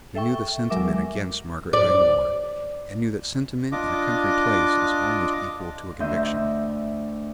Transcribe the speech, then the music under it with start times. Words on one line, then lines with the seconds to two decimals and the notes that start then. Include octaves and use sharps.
He knew the sentiment against Margaret Langmore, and knew that sentiment in a country place is almost equal to a conviction.
0.15 A4 E5 G5 C#6
0.70 F#3 G#3 A#4 E5 D6
1.73 D5
3.72 D4 F4 D#5 D6
6.00 D2 D#5 E5 C6 G6